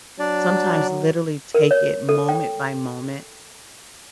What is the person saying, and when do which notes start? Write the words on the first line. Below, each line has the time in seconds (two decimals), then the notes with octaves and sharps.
sometimes, literally, take it moment by moment,
0.19 F#3 D4 D5
1.54 A#4
1.71 C#5
2.09 A4
2.29 G5